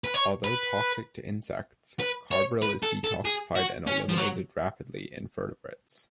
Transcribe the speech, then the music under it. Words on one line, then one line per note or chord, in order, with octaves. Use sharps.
Although toxic to insects, carbaryl is detoxified and eliminated rapidly in vertebrates.
B4
C#5
B4
B4
C#5
B4
A4
A4
G#4
F#4
C#4
F3
F#3